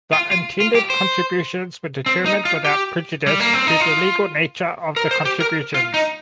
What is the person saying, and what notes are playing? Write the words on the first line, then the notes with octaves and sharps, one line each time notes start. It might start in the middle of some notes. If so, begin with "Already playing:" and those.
The intended contributions were determined without prejudice to the legal nature of the contributions.
F4
F4
F4
G4
C5
C4
D#4
F4
G4
G3
A#3
C4
D#4
F4
A#4
C5
G4
A#4
F4
D#4